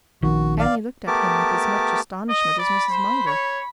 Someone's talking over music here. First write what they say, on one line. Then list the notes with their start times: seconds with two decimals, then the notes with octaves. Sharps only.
Annie looked at him with as much astonishment as Mrs. Munger.
0.22 A#1 D#3 F#4
0.59 D5 F5
1.07 A3 B3 G4 A#4 A5 D6
2.29 D#5
2.59 D5 B5
2.90 C5
3.27 C#5